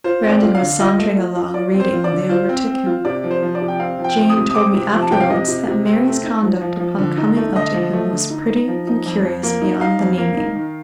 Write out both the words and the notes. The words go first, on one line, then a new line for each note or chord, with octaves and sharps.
Brandon was sauntering along reading when they overtook him. Jane told me afterwards that Mary's conduct upon coming up to him was pretty and curious beyond the naming.
F4 C5
C4
D5
F4
F5
D3
F4 D#5
A3
F4
F4
F4 D5
C4
C5
F4
D5
D3
F4 C5
C4
C4
F4
C3 D5
F3
C5
F3
D5
C3
G5
C4 F5
F3
G5
C4
D#6
C3
D#6
C4 D6
C3
F3
A5
C3 G5
F5
C3 D#5
C3
C3
C4
A3
D#4
F3
F3
F3
D3
D#4
A3
D3 D#5
F3
A3
D3
D#4
D#4
F3
D#4
F2
F2
A#3
D#4
D#4 F5
F2
A#3
D#4
D#3